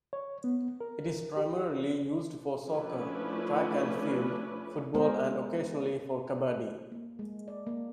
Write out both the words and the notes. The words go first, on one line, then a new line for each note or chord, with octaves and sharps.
It is primarily used for soccer, track and field, football and occasionally for kabbadi.
C#5
B3
A#4
G4
F3 A3 C#4 D4 E4 B4
G#3 B3 G#4 A#4 C5
A#3
G#3
D5
A#3